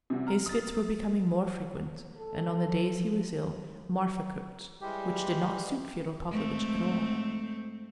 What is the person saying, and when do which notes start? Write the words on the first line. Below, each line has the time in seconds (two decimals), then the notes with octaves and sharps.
His fits were becoming more frequent, and on the days he was ill Marfa cooked, which did not suit Fyodor Pavlovitch at all.
0.10 C3 E3 G3 F#4
0.27 A#5 F6
0.46 D#6 A6
2.17 A4
2.62 F3
4.81 E3 G3 G#3 G4
6.29 G#2 A3 C4